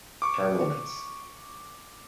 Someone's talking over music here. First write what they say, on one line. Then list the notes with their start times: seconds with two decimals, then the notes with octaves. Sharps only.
Term Limits.
0.22 C#6 D6